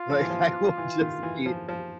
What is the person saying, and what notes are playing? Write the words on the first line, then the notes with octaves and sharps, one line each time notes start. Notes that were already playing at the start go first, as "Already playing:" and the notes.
Like, I will just be
Already playing: F4
F3
E3
F3
E3
D#3
E3
F3
F3